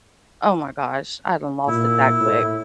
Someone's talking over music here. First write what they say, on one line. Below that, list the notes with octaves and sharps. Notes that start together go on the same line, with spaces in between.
Oh my gosh, I done lost it that quick.
A#2 E4
A2